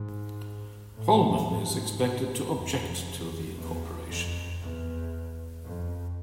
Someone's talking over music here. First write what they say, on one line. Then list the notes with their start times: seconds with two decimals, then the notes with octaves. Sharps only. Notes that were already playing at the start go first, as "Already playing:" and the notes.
Holmen is expected to object to the incorporation.
Already playing: G#2
0.94 A2
1.47 G#2
2.51 F2
3.54 E2
4.08 F2
4.60 E2
5.64 F2